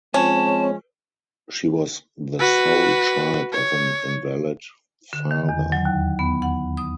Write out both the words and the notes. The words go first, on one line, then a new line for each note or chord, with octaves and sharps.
She was the sole child of an invalid father.
F3 G#3 C4 C#4 F4 C#5 A5
F#4 B4
C#5
D3
D#3
E2
F#3
D#2
B3
F#5
D#6